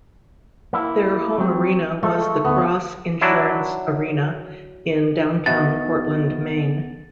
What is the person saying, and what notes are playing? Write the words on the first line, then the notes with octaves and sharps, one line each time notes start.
Their home arena was the Cross Insurance Arena in downtown Portland, Maine.
A#3 E4
F#3 C4
G#3 A3 F4 A4
D2 D3 B3
F#3 D4 E4
D2 B2 D#3 B3 A6